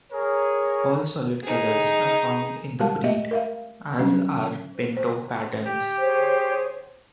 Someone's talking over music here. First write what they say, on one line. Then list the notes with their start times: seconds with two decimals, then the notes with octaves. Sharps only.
All solid colors are found in the breed, as are pinto patterns.
0.12 G#4 A#4 C#5
1.43 D#4 G#4
2.80 G3 G#3 G4 A#4 F5 A5
3.04 A3 G4 D#5 E5
3.31 A#4 E5 F5
3.99 F#3 G3 C#4 D4
4.97 C5
5.65 G4
5.99 G#4 C5 C#5